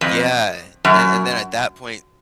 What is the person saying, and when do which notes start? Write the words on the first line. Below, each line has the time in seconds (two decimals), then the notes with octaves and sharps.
Yeah. And and then at that point,
0.01 F2
0.85 F#2